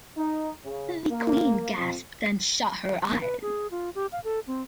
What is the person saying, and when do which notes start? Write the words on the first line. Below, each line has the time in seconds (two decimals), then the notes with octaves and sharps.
The Queen gasped and shut her eyes.
0.17 D#4
0.64 C#3
1.09 A#3
1.75 F2
3.08 A#3
3.21 B4
3.42 G#4
3.71 F4
3.95 G4
4.12 F5
4.24 A4
4.47 C4